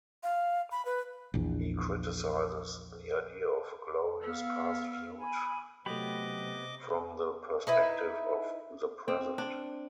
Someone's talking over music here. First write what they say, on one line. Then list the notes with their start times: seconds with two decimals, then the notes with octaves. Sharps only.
He criticizes the idea of a glorious past viewed from the perspective of the present.
0.23 F5
0.71 B5
0.85 B4
1.34 A#1 E2
4.21 B3 F5 E6 F6
5.18 G#5 B5
5.86 C3 F#3 A3 B3 G4 D#5 B5 D6
7.67 D#4 E4 B4
9.08 C4
9.38 D4